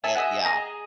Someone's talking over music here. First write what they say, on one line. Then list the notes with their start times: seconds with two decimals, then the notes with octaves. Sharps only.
it yeah.
0.04 E5 G#5 A5 E6
0.15 F#4 G#4 D#5 E5
0.45 G#4 D#5 A#5